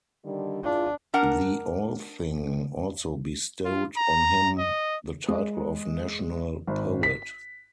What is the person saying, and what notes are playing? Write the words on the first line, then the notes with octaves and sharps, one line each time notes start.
The Althing also bestowed on him the title of "National Poet".
D3 D#3 G3
E2 D4 F4
D4 A#4 F#5
F4
A#5
D#5
G#3
G#1
B6